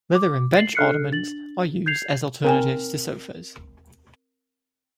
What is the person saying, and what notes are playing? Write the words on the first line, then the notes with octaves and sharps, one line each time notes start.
Leather and bench ottomans are used as alternatives to sofas.
D6
A6 C7 F#7
D4 A4 F6 F#6 C7 C#7
D4 A6 F#7
G6 G#6 C7 F7
C4 A#4 G5 G#5